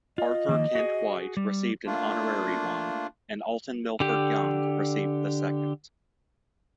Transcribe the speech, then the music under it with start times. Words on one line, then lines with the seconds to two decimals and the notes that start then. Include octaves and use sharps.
Arthur Kent White received an honorary one; and Alton Milford Young received the second.
0.18 F4 D#5
0.49 D#3 F3 A#3
0.75 F#4 G#4
1.37 G3
1.86 A3 A#3 D4 F4
4.00 D3 G4